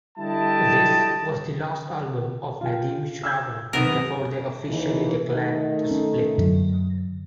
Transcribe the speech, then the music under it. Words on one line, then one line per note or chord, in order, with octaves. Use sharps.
This was the last album of Nadeem-Shravan before they officially declared to split.
D3 G3 E4 D#5 G5 A5
F4 G5
E6 G6 G#6
F#2 C3 D#3 B3 D#4 A#4
D#2 E3 D#4
D#3 A3 D#4
C#4
F#2 D3 F#3